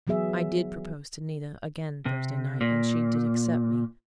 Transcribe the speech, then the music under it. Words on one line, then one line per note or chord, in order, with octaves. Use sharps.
I did propose to Nita again Thursday night, and she did accept me.
E3 F#3 B3 G#4 E5
C3
A#2